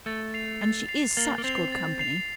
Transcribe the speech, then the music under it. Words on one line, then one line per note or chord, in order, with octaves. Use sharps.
And she is such good company.
A3 A6
C7 F7
A6
C7 F7
A#3 A6
A#3
C4 C7 F7
A6
C7 F7